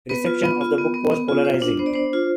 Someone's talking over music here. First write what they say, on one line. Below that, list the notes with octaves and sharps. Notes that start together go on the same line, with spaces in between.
Reception of the book was "polarizing".
B3 B4
F4
B3
F4
B3
B3
B3
F4
F4 C5
D4
B3 C5
D5
D4 C5
F4